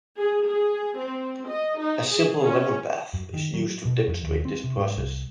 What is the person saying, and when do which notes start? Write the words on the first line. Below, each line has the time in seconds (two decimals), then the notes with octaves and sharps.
A simple lemon bath is used to demonstrate this process.
0.16 G#4
0.46 G#4
0.97 C4
1.47 D#5
1.78 D#4
2.08 G#4
2.41 C#4
3.14 F#2
3.34 D#3
3.54 F#3
3.85 B2
4.08 F2
4.23 D#2
4.45 C4
4.64 C3
4.77 G#2
4.97 C2